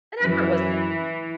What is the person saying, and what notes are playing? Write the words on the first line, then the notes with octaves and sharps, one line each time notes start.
An effort was made.
F#2 E3